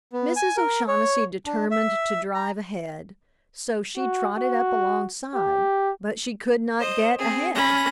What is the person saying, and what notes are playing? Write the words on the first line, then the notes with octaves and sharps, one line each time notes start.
Mrs. O'Shaughnessy determined to drive ahead; so she trotted up alongside, but she could not get ahead.
B3
G#5
A#4
C#5
D4
E5
A#5
F#4
F#4
G4
C5 D#5
C4 G#4
C#4 B5 A#6